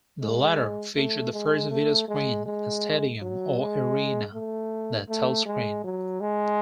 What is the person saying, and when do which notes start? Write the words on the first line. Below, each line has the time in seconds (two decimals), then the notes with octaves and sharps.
The latter featured the first videoscreen in a stadium or arena, the Telscreen.
0.21 G#3
0.96 A3
1.33 G#3
1.71 A3
2.08 G#3
2.46 G#3
3.21 F#3
3.58 G#3
4.34 A3
5.09 A3
5.46 G#3
5.84 F#3
6.20 G#3